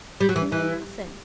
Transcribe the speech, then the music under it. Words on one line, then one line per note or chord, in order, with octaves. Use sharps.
"You know nothing."
G3
F#3
E3
E3